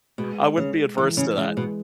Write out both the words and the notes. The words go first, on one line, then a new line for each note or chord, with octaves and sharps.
I wouldn't be adverse to that.
B2 G#3
C#3 G#3
D#3 E3
C#3
C#3 G#3
B2